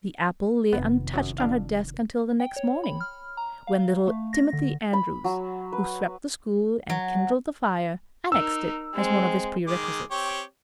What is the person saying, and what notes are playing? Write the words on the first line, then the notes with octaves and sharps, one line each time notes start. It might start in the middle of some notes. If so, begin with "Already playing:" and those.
The apple lay untouched on her desk until the next morning, when little Timothy Andrews, who swept the school and kindled the fire, annexed it as one of his perquisites.
F1 D#3 B3
F#2 F#3
F2 D4 F5
G5
C#5
B5
F6
A#5
F5
A3
A#6
D3
B5
F#3
B4
F#3
D#4 A#4 E6
G#3 C4
D#3 G#3 D6
C4 G4 C#5